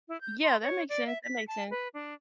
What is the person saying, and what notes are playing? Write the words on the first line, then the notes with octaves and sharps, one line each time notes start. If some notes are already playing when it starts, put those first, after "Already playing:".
Yeah, that makes sense, that makes sense.
E4
G6
C6
C#5
D5
E5
B6
A5
B4
D4